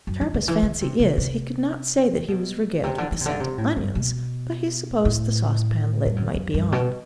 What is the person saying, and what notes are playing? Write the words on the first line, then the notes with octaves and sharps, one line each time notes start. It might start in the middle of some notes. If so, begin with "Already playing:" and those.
Sharp as fancy is, he could not say that he was regaled with the scent of onions, but he supposed the saucepan lid might be on.
F#2
E3
D3
E3
D3
C3
C3
C3
B2
C3
D3
E3
C3
D3
C3
A2
G2
B2
A2
G2
F#2
F#2
G2
B2